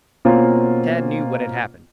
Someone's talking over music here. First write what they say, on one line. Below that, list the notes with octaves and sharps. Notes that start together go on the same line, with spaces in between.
Tad knew what had happened.
B2 A#3 C4 C#4 F4